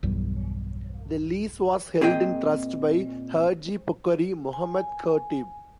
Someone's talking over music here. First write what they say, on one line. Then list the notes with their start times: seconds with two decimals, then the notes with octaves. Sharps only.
The lease was held in trust by Hadjee Puckery Mohamed Khatib.
0.03 B1 E2 G2 G3
2.01 A#2 C4 G#4 D#5 G5
4.53 G#5